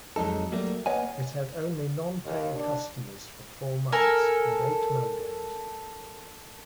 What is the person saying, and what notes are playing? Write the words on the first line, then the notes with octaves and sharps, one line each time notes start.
It had only non-paying customers for four months and eight modems.
F2 F#3 G#3 D#4 A4
F#3 G3 A3 A#3
A#3 B4 C#5 D#5 F#5 G#5
D#2
D4
A4 A#4 G#5